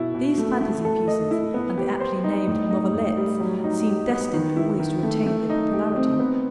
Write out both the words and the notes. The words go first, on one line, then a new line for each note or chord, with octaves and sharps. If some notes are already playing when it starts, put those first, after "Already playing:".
These "Fantasie Pieces" and the aptly named "Novelettes" seem destined always to retain their popularity.
Already playing: B2 E4
B2
A3
A3
A4
D#5
E4
B3
G4
C5
D#4
A2
D#4
A2
G3
F#3
D#4
G4
B3
D#3
E4
D#3
A3
A3
D#4
G4
C4
B3